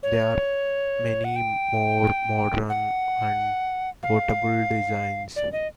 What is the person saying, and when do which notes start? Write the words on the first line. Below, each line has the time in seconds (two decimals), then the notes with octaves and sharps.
There are many more modern and portable designs.
0.03 C#5
1.24 F#5
1.36 G5
2.70 F#5
4.03 F5
5.36 D5
5.52 D#5